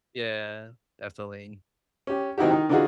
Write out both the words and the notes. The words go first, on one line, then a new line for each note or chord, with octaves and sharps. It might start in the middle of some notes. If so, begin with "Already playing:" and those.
Yeah, definitely.
C#4 G4
D#3 C4 D#4 E4 F#4 G4
D#3 D#4
D3 E3 D#4 F4 F#4 G#4